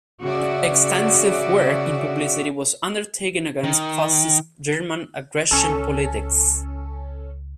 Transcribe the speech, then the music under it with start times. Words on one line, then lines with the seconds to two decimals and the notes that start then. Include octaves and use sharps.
Extensive work in publicity was undertaken against fascist German aggression politics.
0.22 C#3 F#4 D5 E5
3.64 D#3
5.51 C#2 C#4 A4